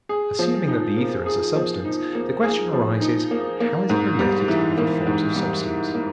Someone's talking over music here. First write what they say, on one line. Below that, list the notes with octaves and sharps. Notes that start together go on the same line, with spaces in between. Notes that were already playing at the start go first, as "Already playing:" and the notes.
Assuming that the ether is a substance, the question arises how is it related to other forms of substance?
G#4
F3
D#4
A#3
G#4
F3
D#4
A#3
G#4
F3
D#4
A#3
A#3
G#2
G3
E3
A#3
G#2
G3
E3
A#3